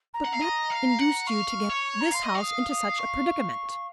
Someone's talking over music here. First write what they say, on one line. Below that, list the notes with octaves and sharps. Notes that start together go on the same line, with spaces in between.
"But what induced you to get this house into such a predicament?"
A#5
F#5
F5
D#5
F5
F#5
F5 C#6
C#5
A#5
F5 C6
D#5 C#6
F5
D#6
D#6
C#6